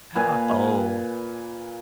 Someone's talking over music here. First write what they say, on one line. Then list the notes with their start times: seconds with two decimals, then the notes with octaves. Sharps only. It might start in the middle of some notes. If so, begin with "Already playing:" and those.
Ha Oh.
0.15 A#2 B4 F5 G#5